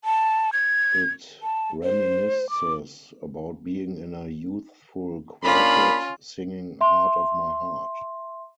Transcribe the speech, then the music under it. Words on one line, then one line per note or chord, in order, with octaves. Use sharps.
It reminisces about being in a youthful quartet, singing "Heart of My Heart".
A5
G#6
A5
C5
D6
A#3 C#4 D4 F4 B5
E5 C6